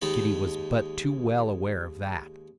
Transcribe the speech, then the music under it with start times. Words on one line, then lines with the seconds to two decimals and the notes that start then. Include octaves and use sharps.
Kitty was but too well aware of that.
0.02 D#2 G#3 D#4 A5 B5